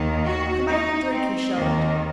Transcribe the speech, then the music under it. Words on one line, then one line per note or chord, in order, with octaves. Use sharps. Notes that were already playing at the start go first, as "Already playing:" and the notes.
"Come out and drink," he shouted.
Already playing: D#2 D#3
F#4
D#4
C4
D#2 D#3 A#3